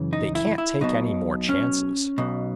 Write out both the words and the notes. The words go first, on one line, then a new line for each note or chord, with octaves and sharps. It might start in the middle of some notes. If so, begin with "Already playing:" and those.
They can't take any more chances.
Already playing: F#2 C#3 E3
D#4
E4
E4
B1 B2 D#4
C#4
B1 B2